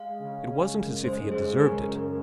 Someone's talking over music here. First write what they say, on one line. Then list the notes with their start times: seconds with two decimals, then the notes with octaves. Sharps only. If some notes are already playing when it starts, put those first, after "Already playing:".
It wasn't as if he had deserved it.
Already playing: G#3 F5
0.19 C#3
0.48 C#4
0.76 F#2
1.04 G#3 C5
1.32 C#3 G#4
1.60 C#4 A#4
1.88 F#2